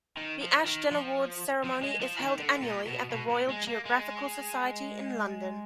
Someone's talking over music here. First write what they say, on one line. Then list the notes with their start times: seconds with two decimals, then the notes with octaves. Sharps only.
The Ashden Awards ceremony is held annually at the Royal Geographical Society in London.
0.17 D#3
0.42 F3
0.66 D#3
0.91 F3
1.64 F3
1.83 G#3
2.01 F3
2.20 D#3
2.39 D3
2.62 A#2
2.87 B2
3.11 B2
3.30 A#2
3.49 G#3
3.67 A#3
3.85 G#3